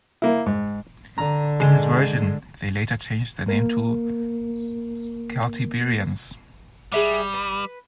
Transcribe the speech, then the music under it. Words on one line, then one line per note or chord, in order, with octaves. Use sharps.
In his version, they later changed their name to 'Celtiberians'.
A#3 E4
G#2
D3 A#5
G#2 G#3
A#3 A#4
G3 G#4 E5 F#5
B4